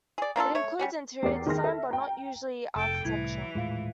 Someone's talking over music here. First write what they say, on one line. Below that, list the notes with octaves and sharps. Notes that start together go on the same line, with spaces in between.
It includes interior design, but not usually architecture.
G#4 D5
A#3 D4 F4 A4
A3 C#5
G3 C#4 F#4
E2 G4 A#4 D5 C7
D#3 G#4 C6 F6 A#6
A4 E5
G5 A#5
F1 A4 G5
C2 A2 E3 E4 G#6
D#1 A2 G#3 F4 F5